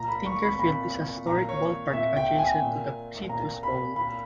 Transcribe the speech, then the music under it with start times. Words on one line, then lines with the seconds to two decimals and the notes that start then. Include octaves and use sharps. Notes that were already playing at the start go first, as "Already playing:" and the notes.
Tinker Field is a historic ballpark adjacent to the Citrus Bowl.
Already playing: A#2 A#5
0.08 B5
0.25 C#6
0.42 B5
0.59 A#2 B5
1.26 A#2 A#5
1.49 C#5
1.93 A#2 E5
2.16 G5
2.39 G#5
2.62 A#2
3.29 A#2 A#5
3.63 B5
3.96 A#2 B5